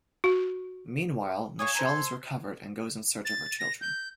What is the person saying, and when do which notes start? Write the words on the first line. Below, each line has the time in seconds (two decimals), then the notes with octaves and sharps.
Meanwhile Michelle has recovered and goes in search of her children.
0.24 F#4
1.59 C#5 F5 G#5 C#6 D#6
1.75 A4 C5 A#5
1.87 C6
3.25 A6
3.59 A#6
3.81 G6